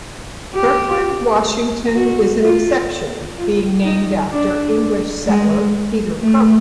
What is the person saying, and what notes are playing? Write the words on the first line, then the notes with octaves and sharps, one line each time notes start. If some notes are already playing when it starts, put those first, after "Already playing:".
Kirkland, Washington is an exception, being named after English settler Peter Kirk.
G4
F#4
F4
F4
D#4
D4
G#3
A3